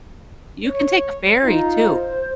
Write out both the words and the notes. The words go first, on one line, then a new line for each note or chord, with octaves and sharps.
You can take a ferry too.
C#5
D#4 F4
C5